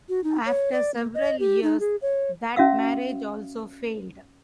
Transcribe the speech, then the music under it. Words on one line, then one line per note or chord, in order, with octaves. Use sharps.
After several years that marriage also failed.
F#4
D#4
C#5
D5
A#3
D#5
G4
D#4
G#4
C#5
C#4 F#4 E5 F5 E6